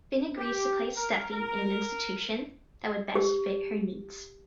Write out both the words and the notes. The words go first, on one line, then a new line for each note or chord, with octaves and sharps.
Finn agrees to place Steffy in an institution that would best fit her needs.
G4
A#4
A#4
G4